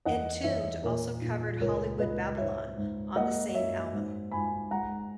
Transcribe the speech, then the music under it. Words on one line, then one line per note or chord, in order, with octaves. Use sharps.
Entombed also covered "Hollywood Babylon" on the same album.
E2 D#5 F#5
E2 C#5 E5
A#2 A#4 C#5
A#2
C#2 A#4 C#5
C#2 B4 D#5
G#2 C#5 E5
G#2
A#3 D#5 F#5
F#2 C#5 E5
G#2
G#2 G#5 B5
G#3 F#5 A#5